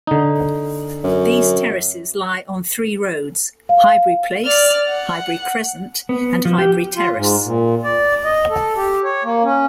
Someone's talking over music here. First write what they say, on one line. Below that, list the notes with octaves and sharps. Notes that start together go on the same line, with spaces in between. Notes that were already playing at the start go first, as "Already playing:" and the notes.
These terraces lie on three roads: Highbury Place, Highbury Crescent, and Highbury Terrace.
D3 D#4
F#2
F5
D5 F6
F#5
B3
F3
G4
F4
G#2
A#2
D5
D#5
A4
G4
C#5
A#3
C#4